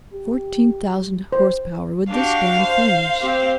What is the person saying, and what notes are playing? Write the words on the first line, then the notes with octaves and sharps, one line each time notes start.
Fourteen thousand horsepower would this dam furnish.
G4
C5
D4 F#4 G4 F5
C5
C4 G4 C5